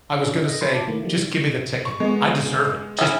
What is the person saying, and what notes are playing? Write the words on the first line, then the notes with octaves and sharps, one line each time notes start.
I was gonna say, just give me the ticket, I deserve it, just
D#3 C#4 D4
D#5 A#6
B5 C6 A6 C7 C#7
A5 D6
D#3 A3 A#3 E4
D#3 F3 G3
C#6
G#3 B3
C#4 E4